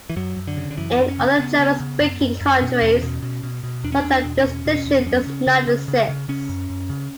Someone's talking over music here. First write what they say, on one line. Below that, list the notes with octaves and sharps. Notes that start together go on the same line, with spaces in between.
In other German-speaking countries such a distinction does not exist.
E3
F#2 F#3
F#2
D3
C#3
D3
F#2 E3
F#2
C#4
C#3
C#3 B3
C#3
C#3
F#2
F#2
F#2
B2 C#4
E2
B2
B2
B2
B2
E2 D4
C#4
E2 D4
B2
D4
E2 C#4
B2
C#4
E2
B3
F#2 C#4
C#3
C#3
C#3
C#3
C#3
C#3 C#4
F#2
F#2
C#3